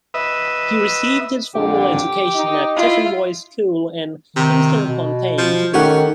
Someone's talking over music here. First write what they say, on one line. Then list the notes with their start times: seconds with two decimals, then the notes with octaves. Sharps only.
He received his formal education at Tiffin Boys School in Kingston upon Thames.
0.14 B4 D#5 E5
1.55 F2 A#2 D3 G4
2.35 D#4 D#5
2.77 E4 F4
4.36 C3 D#3
4.87 B2
5.38 F3
5.74 D#3 A3 C#4 G4 F#5